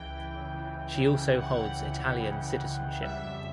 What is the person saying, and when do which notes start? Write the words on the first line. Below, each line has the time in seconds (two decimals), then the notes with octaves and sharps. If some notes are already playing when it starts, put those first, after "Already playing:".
She also holds Italian citizenship.
Already playing: C#2 E3 G5
0.13 E3
0.33 C#3
0.54 E3
0.75 C#2
0.95 C#3
1.16 E3
1.36 C#2 F#5
1.58 E3
1.77 C#2
1.98 E3
2.19 C#3
2.39 E3
2.60 C#2
2.80 C#3
3.01 G3 E5
3.22 F2